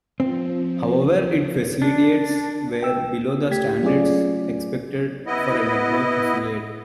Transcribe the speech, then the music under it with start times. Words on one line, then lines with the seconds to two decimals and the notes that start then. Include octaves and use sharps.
However, its facilities were below the standards expected for a network affiliate.
0.20 F3 C4
1.82 D4
2.83 G5 E6
3.51 A3 G4 G#6 B6
3.82 F#3 A3 C#4 F4 G#4 D5
5.27 B3 E4 D#5